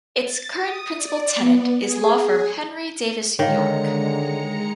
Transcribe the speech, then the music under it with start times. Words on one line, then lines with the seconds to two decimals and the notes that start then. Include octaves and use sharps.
Its current principal tenant is law firm Henry Davis York.
0.24 A6
0.61 D#6
0.97 D5
1.38 B3
1.82 G#4
2.17 G#4
3.39 D3 D#3 G#3 C#5 F5 A#5 C#7